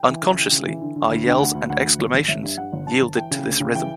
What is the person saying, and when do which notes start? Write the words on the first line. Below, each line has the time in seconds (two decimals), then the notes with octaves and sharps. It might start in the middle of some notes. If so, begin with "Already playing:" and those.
Unconsciously, our yells and exclamations yielded to this rhythm.
Already playing: G5
0.08 E3
0.22 C#3
0.38 E3
0.52 C#3
0.67 E3
0.82 D3
0.96 D3
1.10 D2
1.26 D3 G5
1.40 D2 F#5
1.55 D2
1.70 D2 F#5
1.84 D2
1.99 G1
2.14 G1
2.28 G1 E5
2.43 G2
2.57 G2 F#5
2.73 G1
2.87 G2 A5
3.02 G1
3.16 E3 G5
3.31 C#3
3.46 D2
3.60 C#3
3.75 E3 G5